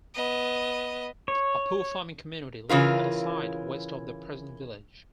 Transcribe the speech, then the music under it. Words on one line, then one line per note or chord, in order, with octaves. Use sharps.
A poor farming community lived at a site west of the present village.
B3 D#5
C#5
C#3 E3 F4 A#4